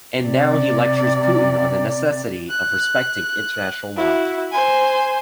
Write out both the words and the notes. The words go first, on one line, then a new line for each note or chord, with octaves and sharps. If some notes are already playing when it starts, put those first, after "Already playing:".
And now he lectures Putin on the necessity of 'respecting international law'.
C3 D5
F#6
E4 F#4
C5 G#5